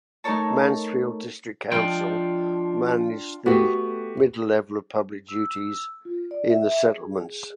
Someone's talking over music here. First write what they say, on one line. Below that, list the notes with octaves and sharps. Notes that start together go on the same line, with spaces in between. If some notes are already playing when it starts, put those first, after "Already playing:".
Mansfield District Council manage the middle level of public duties in the settlements.
A3 D#4 A4 A#4 C#5 A5
F3 G#3 D4 F4 G5
A3 B3 F#4 G4 B4
E6
F4
D5
E5
G#4